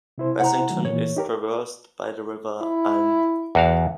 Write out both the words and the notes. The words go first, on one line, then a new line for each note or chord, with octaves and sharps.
Bassington is traversed by the River Aln.
C3 E4 C5
F#5 A#5
D#3 F#3 A3
A#2 E3 A#3 C#5
D#4 G4 A#4
E4
E2 F#4 F5